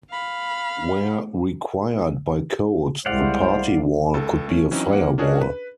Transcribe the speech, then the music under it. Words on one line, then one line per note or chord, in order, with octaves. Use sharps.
Where required by code, the party wall could be a firewall.
F5 B5
C2 G3 G#3 E4 C5 D5 F5 F#5
C#2 A4
A3 C#4
E3 F#3 C4 C#4 D#4
A#3 F#5
C#4 D4 F#4 G#4 A#4
B4